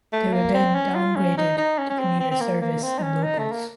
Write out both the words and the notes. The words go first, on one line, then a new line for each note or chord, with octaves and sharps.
They were then downgraded to commuter service and locals.
A3
A#3
C4
C#4
F4
C#4
D#4
D#4
C#4
C#4
C4
C4
C4
A#3
A#3
C4
D#4
C#4
D#4
A3
A#3